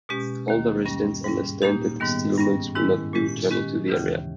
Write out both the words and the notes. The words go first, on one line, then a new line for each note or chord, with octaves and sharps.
Older residents understand that the steel mills will not be returning to the area.
B2 G#3 C#4 G4
D#2 D#3 A#3
G2 G3 C#4
G#2 G3 C#4
A#2 A#3 D#4 G4
G#2 D#3 G3 B3
G2 G3 C#4
G#2 D#3 G#3 C#4 E4
A#2 G#3 C#4 G4
D#3 G#3 C#4 G4
D#2 C#3 E3